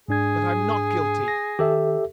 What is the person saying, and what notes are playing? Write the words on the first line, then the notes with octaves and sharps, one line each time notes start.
But I'm not guilty.
G#2 D4 G#4 G#6
A#6
D#3 G4 A4 E5